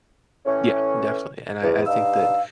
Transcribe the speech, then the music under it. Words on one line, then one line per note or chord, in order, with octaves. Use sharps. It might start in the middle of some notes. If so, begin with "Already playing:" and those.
Yeah. Definitely, and I I think that
A2 E3 C#4
E2
G2 D#4 F5 E6